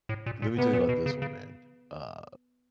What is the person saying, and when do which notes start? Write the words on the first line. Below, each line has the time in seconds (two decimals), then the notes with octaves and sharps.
Let me tell you about this one, man, uh,
0.09 A2
0.26 A#2
0.42 A#2
0.57 C3 B3
0.73 A#2
0.89 B2
1.06 C#3
1.22 C#3